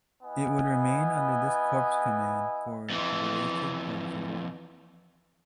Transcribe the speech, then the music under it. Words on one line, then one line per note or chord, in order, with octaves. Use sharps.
It would remain under this Corps command for the duration of the war.
B3 E4 D#5 G#5
F2 E3